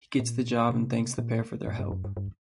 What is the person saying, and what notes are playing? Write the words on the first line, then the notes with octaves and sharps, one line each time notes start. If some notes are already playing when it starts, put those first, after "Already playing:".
He gets the job and thanks the pair for their help.
A#2
C3
A#2
G2
G2
F#2
G2
G2